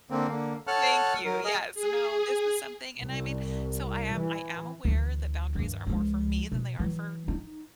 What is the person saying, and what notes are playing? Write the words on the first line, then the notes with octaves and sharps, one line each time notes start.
Thank you, yes. No, this is something and I mean so I am I am aware that boundaries are more for me than they are for
D3 A#3 C4
D3 A#3
A4 C#5 F#5 A5 F6 F#6
F#3 A#4
G#4 D#5 F6
G#4
C2
E3
D2 E3
G2 D#3
C#2 F3
B2
E3 F#3
D#4